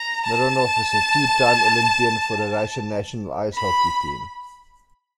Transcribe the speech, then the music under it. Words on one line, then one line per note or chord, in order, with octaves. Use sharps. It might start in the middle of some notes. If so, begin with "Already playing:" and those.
Mironov is a two-time Olympian for the Russian national ice hockey team.
Already playing: A#5
A5
B5